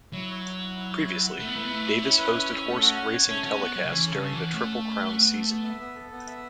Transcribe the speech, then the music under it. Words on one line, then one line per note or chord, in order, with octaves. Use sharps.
Previously, Davis hosted horse racing telecasts during the Triple Crown season.
F#3 E4
C#5
E4
F#5
E4
C#5
E4
F#5
A3 E4
B3
A3 B4
B3
A3 E4
E5
C#4 E4
B4
E4
E5
A3
F#4
F#5
C#5
A3 C#4
C#4 F#4
B3 F#5
F#3 C#5
C#3
E3 C#4
C#3 A4
C#4
E3
F#5
A3 C#4
A4
C#4
F#5
B3
A4
B3
E5
B3
A4
B3
E5